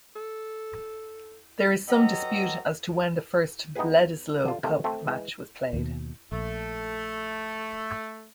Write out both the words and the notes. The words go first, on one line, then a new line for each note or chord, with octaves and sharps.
There is some dispute as to when the first Bledisloe Cup match was played.
A4
F#3 A4 B4 D#5 F#5 G5 A#5
B3 D#4 E4 G4 G#4 B4
D3 F4
C3 D#3 A3 A#3 C4
A3 C4
E3 G#3
D#2 B2
A#1 A3